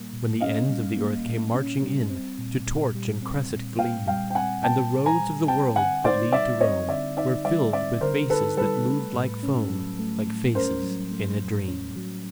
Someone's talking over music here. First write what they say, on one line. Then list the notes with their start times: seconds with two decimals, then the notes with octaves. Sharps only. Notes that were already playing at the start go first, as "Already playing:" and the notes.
When the ends of the earth came marching in To torch and cresset gleam. And the roads of the world that lead to Rome Were filled with faces that moved like foam, Like faces in a dream.
Already playing: A#2 G3 A#3
0.13 A#2
0.41 C#4 D#5 F5
0.69 G3
0.97 A#3
1.26 A#2
1.54 C#4
1.82 G3
2.10 C4
2.38 A#2
2.67 A#2
2.95 G3
3.22 C4
3.51 A#2
3.79 A#2 F5 G5
4.07 G3 F5 G5
4.30 G5
4.35 C4 F#5 G#5
4.63 A#2 G5 A5
4.91 A#2
5.06 G#5 A#5
5.20 G3
5.47 C4 G5 A5
5.76 D3 F#5 G#5
6.04 D#4 C5 D5
6.32 G3 D5 E5
6.61 C4 C#5 D#5
6.89 D3 D5 E5
7.17 D#4 D5 E5
7.45 G3 D5 E5
7.73 C4 D5 E5
8.01 D3 A#4 C5
8.30 D#4 A4 B4
8.57 G3 A4 B4
8.86 A3
9.15 A2
9.43 C#4
9.70 F#3
9.99 A3
10.27 A2
10.55 C#4 A#4 C5
10.83 F#3
11.11 A3
11.40 A2
11.68 C#4
11.96 F#3